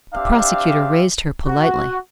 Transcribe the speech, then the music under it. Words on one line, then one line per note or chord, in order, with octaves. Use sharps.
The prosecutor raised her politely.
C4 D4 G4 E5 F5
F#4